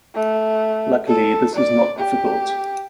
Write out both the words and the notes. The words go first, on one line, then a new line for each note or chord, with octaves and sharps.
Luckily, this is not difficult.
A3
A4
D5
G4